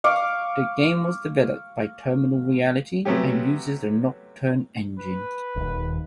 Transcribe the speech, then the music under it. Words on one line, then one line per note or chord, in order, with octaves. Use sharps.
The game was developed by Terminal Reality and uses the Nocturne Engine.
F5 C#6 D6
C3 F#3 A3 B3 C#4 G4
B4
D#1 D#2